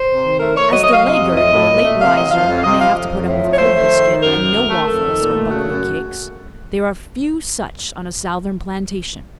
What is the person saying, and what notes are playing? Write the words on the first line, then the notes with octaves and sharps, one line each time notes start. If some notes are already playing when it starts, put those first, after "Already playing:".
As the laggard, or late riser, may have to put up with cold biscuit, and no waffles or buckwheat cakes, there are few such on a Southern plantation.
Already playing: C5
C3
D#3
A3 A#4
A3 C#5
F#3 D#5
D#5
F#3
F5
C3 D#5
F2
A2 D#5
A2
A#2
A3
C3 F5
F#3 D#5
F3 F5
F2
F5
C3 D#5
F3 F5
F2
F2
A2
F3
C#5
A3 C5
A3
D#3
D#3
F#2 A#4
F#2
A3
A3
F2 A4
D#3
A#2
A3
C#3 F#4
F#2